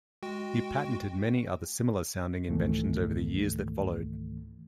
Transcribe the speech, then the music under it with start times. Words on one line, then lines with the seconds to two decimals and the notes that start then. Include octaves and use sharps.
He patented many other similar-sounding inventions over the years that followed.
0.23 G#3 F#4 G5
2.49 C#2 G#2 D#3 E3 A3